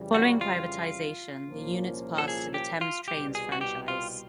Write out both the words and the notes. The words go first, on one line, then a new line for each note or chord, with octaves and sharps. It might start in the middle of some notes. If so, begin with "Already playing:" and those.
Following privatisation, the units passed to the Thames Trains franchise.
Already playing: F2 C#3 E3 G3
F#4
F4
C2 A#2 F3 A#3 C#4
A4
G#4
G4
F4
C2 B2 G3 G4
G#4
F#4
G4
F4